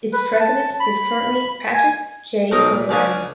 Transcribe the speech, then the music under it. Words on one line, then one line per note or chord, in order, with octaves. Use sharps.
Its president is currently Patrick J. O'Brien.
B4
A5
B5
G#5
B1 F#3 C4 D#4 A#4 D#6
A#2
C#2 C#3 C#4 D4 G#5